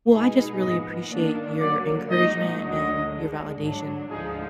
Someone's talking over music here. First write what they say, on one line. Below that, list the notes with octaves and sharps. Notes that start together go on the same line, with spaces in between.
Well, I just really appreciate your encouragement and your validation.
B2 G#3 D#4 G#4 B4
G#2 F3 B3 D#5
D#3 A#3 D4
D3 F#3 A#3 D5
A#2 G#3 D#4 F#4 D#5
D2 D3 F#3 D#5
D3 G#3 D4
G#2 F#3 D4
D2 D3 F3 G#3 D#4 G#4